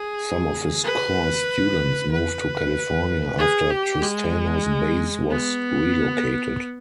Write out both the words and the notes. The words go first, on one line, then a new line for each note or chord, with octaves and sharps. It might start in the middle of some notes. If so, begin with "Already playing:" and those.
Some of his core students moved to California after Tristano's base was relocated.
Already playing: G#4
B4
B4
G#4
G4
G#3
B3